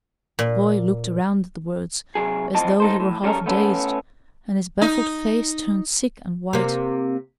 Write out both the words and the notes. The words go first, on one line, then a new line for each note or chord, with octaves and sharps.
The boy looked around at the words, as though he were half dazed, and his baffled face turned sick and white.
A#2
C3 F#3 G#4
B1 A2 F3 C4 D#5 A5
D#4 A4 C5
A2
F#3 G3 B3 C#4 A4 A#4
A3 B3 C#4 A4
D#4
C3 A#3